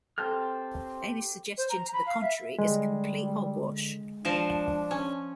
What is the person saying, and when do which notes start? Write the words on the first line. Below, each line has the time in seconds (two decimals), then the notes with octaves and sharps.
Any suggestion to the contrary is complete hogwash.
0.18 C4 G4 A4 G5 A5 F6
1.57 C5
1.69 A#5
1.93 B5
2.06 F5
2.21 E5
2.59 D3 G3 G#3
4.25 A#1 F3 D4 A#4 A5
4.91 C#4